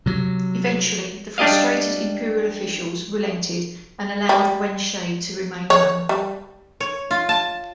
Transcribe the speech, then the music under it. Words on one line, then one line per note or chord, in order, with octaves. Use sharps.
Eventually, the frustrated imperial officials relented and allowed Wen Shi to remain home.
C3 F#3
G3 D4 G4 D#5 F5
G3
C#5
G3
C#5
F4
A5